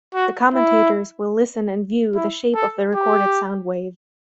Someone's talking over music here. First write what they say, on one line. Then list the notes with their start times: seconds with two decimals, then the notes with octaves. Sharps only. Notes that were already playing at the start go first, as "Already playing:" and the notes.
The commentators will listen and view the shape of the recorded soundwave.
0.14 F#4
0.54 E4
2.15 E4
2.55 A4
2.94 G4